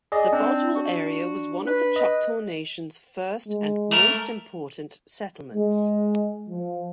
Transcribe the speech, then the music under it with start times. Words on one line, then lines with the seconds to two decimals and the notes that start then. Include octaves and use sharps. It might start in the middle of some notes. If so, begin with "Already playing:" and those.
The Boswell area was one of the Choctaw Nation's first and most important settlements.
0.12 G#4 D5 D#5
0.33 C4 D4
0.75 F#4
1.66 B4
1.96 D#5
3.47 G#3
3.92 A3 A#4
5.53 G#3
6.49 F3